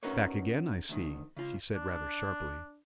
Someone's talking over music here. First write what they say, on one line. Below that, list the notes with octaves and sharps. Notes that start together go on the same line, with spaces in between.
"Back again, I see," she said rather sharply.
C#4 D#4 F#4 A#4 B4 C#5
D2 D#3
C#3 F4
D4